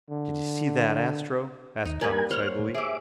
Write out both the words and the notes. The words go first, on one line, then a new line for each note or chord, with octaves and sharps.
"Did you see that, Astro?" asked Tom excitedly.
D3
D#2 D#4
G3 A#3 A#4 B4 G#5
C5 C#5 F#5 F6
A2
G4 G#4 E5 D6